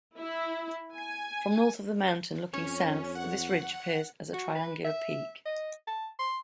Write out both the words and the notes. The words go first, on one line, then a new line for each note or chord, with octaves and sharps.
From north of the mountain, looking south, this ridge appears as a triangular peak.
E4
G#5
F2 C#4 C#5
F#5
F#4
B4
E5
D#5
A5
C6